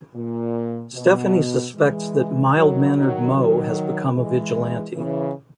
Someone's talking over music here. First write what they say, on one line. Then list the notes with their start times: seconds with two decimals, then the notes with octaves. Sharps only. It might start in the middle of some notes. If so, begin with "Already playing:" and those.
Stephanie suspects that mild-mannered Mo has become a vigilante.
0.15 A#2
0.95 B2
1.75 E3 G#3
2.55 D#3 F#3
2.94 D#3 F#3
3.35 D#3 F#3
4.14 E3 G#3
4.95 C#3 E3